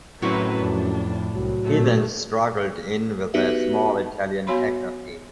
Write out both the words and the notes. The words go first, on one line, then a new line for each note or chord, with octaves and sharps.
He then struggled in with the small Italian Tecno team.
F#2 A2 F#3 C4 E4 F#4 B4
F2 D4
C2 F#3
A#2 A3
B3 D#4 F#4 G4 B4 E5
B3 F#4 C#5 F5 B5 C6